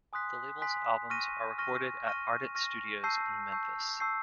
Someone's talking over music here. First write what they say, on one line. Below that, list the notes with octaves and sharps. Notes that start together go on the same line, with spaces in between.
The label's albums are recorded at Ardent Studios in Memphis.
G#5 C6 D#6 F#6 B6
G#5 C6 D#6 F#6 B6
C#6 F6 A#6 D#7
C#6 F6 A#6 D#7
C#6 F6 A#6 D#7
C#6 F6 A#6 D#7
A5 C#6 E6 G6 C7
A5 C#6 E6 G6 C7
A5 C#6 E6 G6 C7